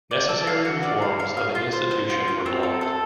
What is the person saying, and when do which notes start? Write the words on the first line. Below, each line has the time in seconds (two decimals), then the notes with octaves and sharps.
Necessary reforms of the institution were blocked.
0.11 D5
0.29 A4
0.47 F5
0.65 F#4
0.83 D5
1.02 F5
1.20 F5
1.37 F5
1.55 F4
1.73 C5
1.91 C5
2.10 F4
2.28 F4
2.46 C4
2.63 A4
2.81 A4